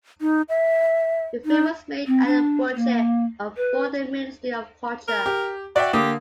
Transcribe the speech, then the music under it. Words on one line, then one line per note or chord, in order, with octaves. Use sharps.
The film was made at the budget of for the Ministry of Culture.
D#4
E5
D#4
C4
D4
A#3
B4
A#4
G4
F#4 D5 E5 G5
D3 A#3 G4 D#6